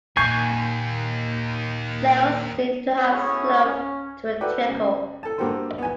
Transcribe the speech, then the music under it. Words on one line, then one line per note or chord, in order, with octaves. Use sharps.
Sales seem to have slowed to a trickle.
D#2 A#2 A#3 G#5 C#6 G6 C7
A3 C#4 E4 F#4 G#4 C#5
C#4
F#4 A4 B4 D5 G5
C#2
A4 A5
G2 A#3 F#4 G4 A4 C5
B3 G#5